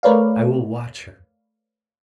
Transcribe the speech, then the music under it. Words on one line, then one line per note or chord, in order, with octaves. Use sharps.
I will watch her.
A3 A#4 B4 C#5 D5 F5